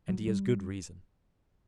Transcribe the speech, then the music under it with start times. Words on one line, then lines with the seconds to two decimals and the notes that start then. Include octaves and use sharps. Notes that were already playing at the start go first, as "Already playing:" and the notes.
And he has good reason.
0.09 F#3
0.27 G3